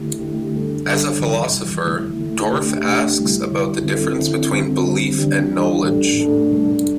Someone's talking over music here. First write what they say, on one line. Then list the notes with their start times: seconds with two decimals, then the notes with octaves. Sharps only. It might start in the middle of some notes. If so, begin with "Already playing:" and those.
As a philosopher, Dorff asks about the difference between belief and knowledge.
Already playing: D3 A3 E4 G4
0.19 D3 A3 E4 G4
0.52 D3 G3 D4 A4
0.86 D3 G3 D4 A4
1.19 C3 E3 G3
1.52 C3 E3 G3
1.85 D3 A3 E4
2.18 D3 A3 E4
2.52 C3 A3 D4 G4
2.85 C3 A3 D4 G4
3.18 D3 G3 E4
3.52 D3 G3 E4
3.84 D3 C4 E4 A4
4.18 D3 C4 E4 A4
4.51 D3 G3 C4
4.84 D3 G3 C4
5.18 E3 G3 D4 G4
5.51 E3 G3 D4 G4
5.84 A2 A3 D4 A4
6.17 A2 A3 D4 A4
6.51 C3 G3 D4 A4